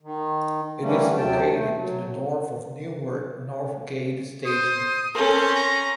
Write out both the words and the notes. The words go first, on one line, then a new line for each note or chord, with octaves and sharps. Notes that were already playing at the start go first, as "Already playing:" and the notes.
It is located to the north of Newark North Gate station.
D#3
D3 E3 G3 A3 A#3 C#4
D#2 C3 F#3 G5 A5
A3
F#3
C5 D#6
C4 C#4 A4 A#4 C6
A#5